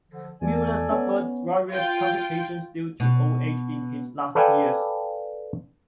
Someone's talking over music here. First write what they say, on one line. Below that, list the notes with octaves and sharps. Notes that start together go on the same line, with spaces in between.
Miller suffered various complications due to old age in his last years.
D3 F3
E2 A4 D5 G#5
B3 C#4
F4 G5
B2
A4 B4 D5 F5 G5 G#5